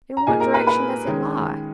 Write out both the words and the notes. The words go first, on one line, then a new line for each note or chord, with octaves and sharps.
'In what direction does it lie?'
A#5
A#2 A#3 D#4 G#4 G#5
A#4 A#5
B4 B5
B4 B5
D#3 G#3 C#4